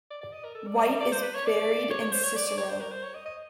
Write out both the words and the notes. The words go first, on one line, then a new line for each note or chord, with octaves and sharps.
White is buried in Cicero.
D5
D5
D#5
A#4
A4
D5
D5
D5
D5
C5
B4
C#5
D5
C#5
C#5
C5
C#5
D5
D5
C#5
C5
A#4
C5
C#5
D#5
D#5